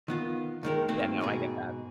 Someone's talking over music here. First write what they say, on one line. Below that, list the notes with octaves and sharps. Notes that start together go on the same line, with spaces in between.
Yeah, no, I get that.
D#3 B3 F4
D#2 D#3 G#3 A#4
D#3 A3 A#3 C4 F#4
G#2 B2 G#4